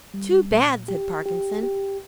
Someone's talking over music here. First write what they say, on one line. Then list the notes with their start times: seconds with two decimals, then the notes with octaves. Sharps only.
"Too bad!" said Parkinson.
0.14 G3
0.51 A#2
0.88 G4
1.26 G4
1.63 G4